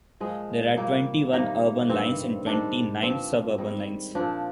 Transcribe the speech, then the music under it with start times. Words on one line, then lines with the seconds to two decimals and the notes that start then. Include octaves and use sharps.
There are twenty-one urban lines and twenty-nine suburban lines.
0.20 A#2 F3 G#3
0.77 A#2 G3 A#3
1.33 C3 D#3 G3 A#3
1.90 G2 D#3 G3 C4
2.46 G#2 D#3 G3 D4
3.02 G2 F3 C4
3.58 G#2 D#3 G3
4.15 A#2 F3 D4